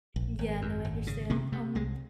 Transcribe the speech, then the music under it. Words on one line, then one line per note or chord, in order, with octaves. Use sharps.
Yeah, no, I understand. Um,
A#1
G#1
F#2
G#1
C#3
C3 A#3
C3 A3
C2 G#3